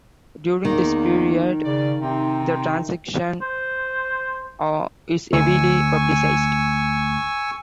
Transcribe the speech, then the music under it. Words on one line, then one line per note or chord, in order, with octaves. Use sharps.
During this period, the transition is heavily publicized.
E2 D#3 A#3
C#3 D5
C3 C4 D#4
C5
D2 G#5 C#6 E6